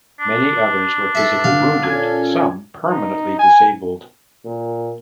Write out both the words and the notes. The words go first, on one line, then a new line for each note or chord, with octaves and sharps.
Many others were physically wounded, some permanently disabled.
D4
G2 A4 E5
D3 F5
A#2 C#4 A4 G#6
D#4
G#5
A#2